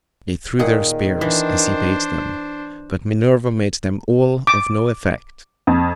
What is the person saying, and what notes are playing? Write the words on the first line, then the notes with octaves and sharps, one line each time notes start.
They threw their spears as he bade them, but Minerva made them all of no effect.
A#2 D#3 G#4 F#5
E3 D4 C5
D6
F2